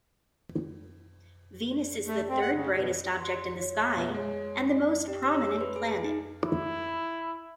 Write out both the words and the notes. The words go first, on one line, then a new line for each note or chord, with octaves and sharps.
Venus is the third-brightest object in the sky and the most prominent planet.
A3
C4
F#5
C#3
B2
C6
C#5
B2 B3 E5
G#3 C#5
G4
E6
C#5
C6
B4
G#4
G#4
D#4
E4